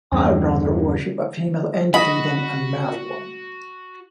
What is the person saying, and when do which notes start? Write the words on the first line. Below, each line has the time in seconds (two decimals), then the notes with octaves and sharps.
I'd rather worship a female entity than a male one.
0.12 E2 G2 C#3
1.94 F#4 D#5 F#5 B5 F#7